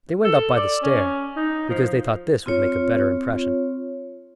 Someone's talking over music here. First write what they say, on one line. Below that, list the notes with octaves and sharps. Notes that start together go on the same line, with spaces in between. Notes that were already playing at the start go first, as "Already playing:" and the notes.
They went up by the stair, because they thought this would make a better impression.
A4
D5
C#4
D#4
F3
C4 F4 C#5